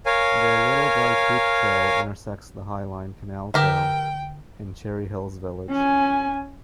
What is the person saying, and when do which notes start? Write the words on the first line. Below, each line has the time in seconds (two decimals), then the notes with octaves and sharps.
The Little Dry Creek Trail intersects the Highline Canal Trail in Cherry Hills Village.
0.06 A#4 C#5 F5 G#5
3.54 D3 G4 A#4 E5 G5
5.70 C#4 G#5